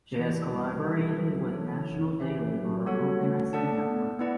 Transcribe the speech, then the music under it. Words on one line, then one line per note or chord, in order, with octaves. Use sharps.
She has collaborated with National Day Laborer Organizing Network.
E3 G4 B4 D5
G3
D4 A4 E5
F#3
E3 A3 D4 A4 C#5
C#4 G4 B4 E5
F#3
G3 B3 F#4 A4 C#5 F#5
A3
D4 A4 D5 F#5 A5
B3
B3 E4 B4 D5 F#5